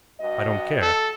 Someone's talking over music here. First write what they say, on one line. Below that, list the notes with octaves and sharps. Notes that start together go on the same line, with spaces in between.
I don't care.
G2 F#4 D#5
A4